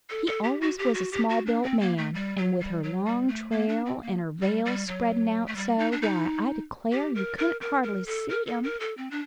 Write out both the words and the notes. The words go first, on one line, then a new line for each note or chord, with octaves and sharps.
He always was a small-built man, and with her long trail and her veil spreadin' out so, why, I declare, you couldn't hardly see him.
A4
A4
G4
F#4
G4
F#4
G4
F#4
D4
C4
A#3
A3
G3
F#3
G3
F#3
G3
A3
A#3
D4
C4
A#3
G3
G3
F#3
A3
G3
D#4
D4
D#4
G4
A#4
A#4
A#4
A#4
A4
A#4
A4
A#4
A4
C4
D4